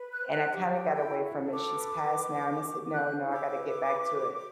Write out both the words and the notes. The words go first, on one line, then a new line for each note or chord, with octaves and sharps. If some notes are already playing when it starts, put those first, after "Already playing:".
and I kinda got away from it, she's passed now. And I said, "No, no, I got to get back to it."
Already playing: B4
F#6
C5
F#6
G4
G5
E4
G5
F#4
A4
D6
B4
B4
B4
F#4
C5 F#6
E4
D6
B4
B4
F#4